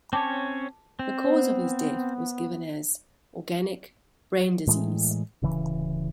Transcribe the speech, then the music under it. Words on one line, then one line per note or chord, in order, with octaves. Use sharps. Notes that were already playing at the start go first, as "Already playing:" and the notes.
The cause of his death was given as "organic brain disease".
C4 C#4 C#5 A5 D6
C4
B3 C5
A2 E3 G#3
D1 C#3 E3